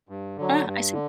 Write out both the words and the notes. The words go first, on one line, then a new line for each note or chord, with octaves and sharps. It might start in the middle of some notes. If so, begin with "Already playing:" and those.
Ah, I see.
G2
D3 F#3
G2
D3